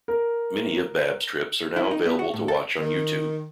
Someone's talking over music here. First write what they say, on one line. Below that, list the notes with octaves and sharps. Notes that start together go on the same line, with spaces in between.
Many of Babbs's trips are now available to watch on YouTube.
A#4
E4
D#4
B3
F#4
A2
A4
D#3